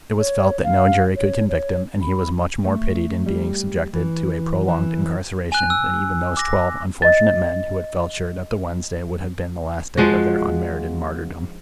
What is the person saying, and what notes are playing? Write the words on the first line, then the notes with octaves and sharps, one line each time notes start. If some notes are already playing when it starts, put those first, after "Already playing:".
It was felt that no jury could convict him, and he was much more pitied in being subjected to a prolonged incarceration than even those twelve unfortunate men who had felt sure that the Wednesday would have been the last day of their unmerited martyrdom.
C#5
F5
C#5
C#5
B5
A3
G3
E3
E3
G#5 F#6
E6
D6 A#6
D#5 A6
F3 G#3 F#4